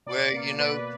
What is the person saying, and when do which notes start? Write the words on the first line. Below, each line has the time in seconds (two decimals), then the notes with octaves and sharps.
Well, you know,
0.06 B2 D5
0.33 A#3
0.60 B2 B4